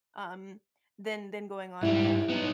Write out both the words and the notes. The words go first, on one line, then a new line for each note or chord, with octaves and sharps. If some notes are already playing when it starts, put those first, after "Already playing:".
um, than than going on the
G#2 G3 E4
B3 D#4